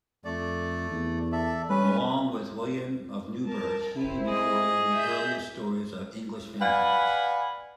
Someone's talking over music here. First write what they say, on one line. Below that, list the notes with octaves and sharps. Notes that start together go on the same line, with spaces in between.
Along with William of Newburgh, he recorded the earliest stories of English vampires.
F2 A3 D5
E2
A4 D5 E5
G3 C#4 B4
A#4 A5
C4 E4
G#4 D#5
E5 G6
B4 D5 F5 F#5 G#5 B5